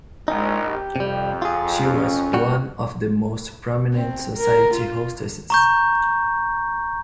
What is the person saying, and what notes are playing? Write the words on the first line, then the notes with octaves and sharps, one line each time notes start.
She was one of the most prominent society hostesses.
A#1 G#3 D#4
G4
F2 C3 G3
F4 G#4
C#4
A#2 G3 F#4
C4
A#4
F4
A#5 C#6 G6